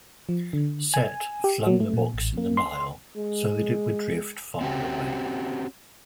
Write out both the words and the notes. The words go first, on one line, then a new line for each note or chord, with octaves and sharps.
Set flung the box in the Nile so that it would drift far away.
F3
D3
G#5
G4
F#3
A3
A#2
A1
A#3
C6
G#3
C4 C#4 F#4 G4